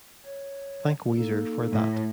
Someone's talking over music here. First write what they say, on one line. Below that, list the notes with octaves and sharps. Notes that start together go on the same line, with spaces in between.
Thank Weezer for that.
C#5
A#3 D#4 A4
A2